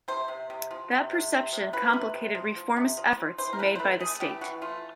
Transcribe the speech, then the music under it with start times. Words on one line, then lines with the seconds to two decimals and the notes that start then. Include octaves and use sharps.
That perception complicated reformist efforts made by the state.
0.08 C3 C5
0.28 C3
0.50 C3
0.71 F3
0.91 C3
1.11 C3
1.32 C3
1.53 C3
1.73 F3 B4
1.93 C3
2.15 C3
2.35 F3
2.56 F3
2.77 C3
2.97 F3
3.18 F3
3.38 E3 C5
3.53 A#4
3.59 E3 B4
3.75 C5
3.79 A3 B4
4.00 A3 G#4
4.20 E3 G4
4.41 E3 F#4
4.62 A3 F4